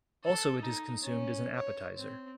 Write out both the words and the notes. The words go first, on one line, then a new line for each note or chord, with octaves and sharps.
Also it is consumed as an appetizer.
A4
D#4
C#4
C#5
C4